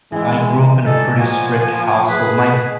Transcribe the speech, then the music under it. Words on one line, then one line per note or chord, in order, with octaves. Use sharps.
I grew up in a pretty strict household, my
E3 G#3 C4 E4
G#3 D#4 F4 A4 D5
F3 A#3 F#4 G#5
G#4 B4